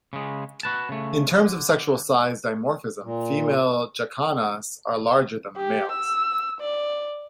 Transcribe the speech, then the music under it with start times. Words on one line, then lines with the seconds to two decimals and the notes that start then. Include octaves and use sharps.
In terms of sexual size dimorphism, female jacanas are larger than the males.
0.13 C#3 G#3
0.63 F#4 B4 A5
0.89 C#3 A3
1.31 D3
3.03 A#2
5.57 G4
5.91 E6
6.60 D5